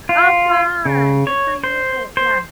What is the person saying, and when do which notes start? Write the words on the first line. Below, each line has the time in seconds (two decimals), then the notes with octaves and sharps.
Oh, fun! Good for you. Yeah.
0.09 F4
0.85 C#3
1.27 C#5
1.64 C5
2.17 C5